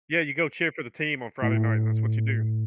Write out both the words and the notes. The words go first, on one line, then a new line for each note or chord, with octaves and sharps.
Yeah, you go cheer for the team on Friday night that's what you do.
A2